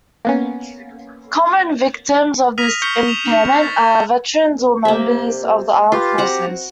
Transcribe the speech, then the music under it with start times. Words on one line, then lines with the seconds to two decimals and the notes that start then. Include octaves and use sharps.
Common victims of this impairment are veterans or members of the armed forces.
0.25 A#3 B3 C#4
2.58 D#6 F6 A#6 B6 D#7 F7
2.82 C#6 F6 G6 B6 C#7 G7
3.08 E7 F7
3.61 A6 B6
4.85 C3 A#3 E5
5.92 F4 G4 B4
6.18 C4 F#4 F#5 A#5